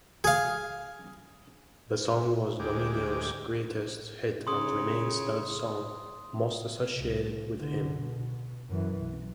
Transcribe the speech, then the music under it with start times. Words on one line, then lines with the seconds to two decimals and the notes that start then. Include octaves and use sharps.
The song was Domino's greatest hit and remains the song most associated with him.
0.24 G#4 F5
2.60 D2 G#3 G4 D6
4.47 C#3 C6 D#6
6.97 C2
7.59 D3
8.01 B2
8.70 F#2 E3
9.00 B1